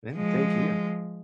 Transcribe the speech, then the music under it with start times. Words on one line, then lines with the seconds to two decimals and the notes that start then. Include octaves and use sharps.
Yeah, thank you.
0.15 F3 G#3